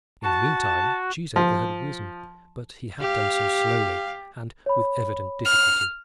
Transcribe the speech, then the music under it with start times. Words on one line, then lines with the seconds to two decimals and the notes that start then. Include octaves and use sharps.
In the meantime Cheesacre had risen; but he had done so slowly, and with evident difficulty.
0.23 F#4 A5
1.36 F3
3.01 G4 F5
4.66 C#5 B5
5.45 F6